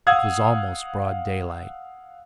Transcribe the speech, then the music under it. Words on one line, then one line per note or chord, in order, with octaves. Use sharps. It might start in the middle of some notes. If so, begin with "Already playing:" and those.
It was almost broad daylight.
F5 F#5 D#6 E6 G#6